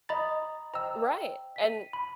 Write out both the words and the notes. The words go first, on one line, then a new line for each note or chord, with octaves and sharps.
Right, and
D#5 A#5 B5 D#6 A6
C5 D#5 G5 A#5 E6
B6 D#7
B5